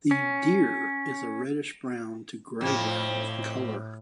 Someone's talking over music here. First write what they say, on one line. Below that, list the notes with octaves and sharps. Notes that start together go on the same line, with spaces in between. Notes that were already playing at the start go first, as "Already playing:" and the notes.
The deer is a reddish-brown to grey-brown in color.
C#4
F2 A2 F3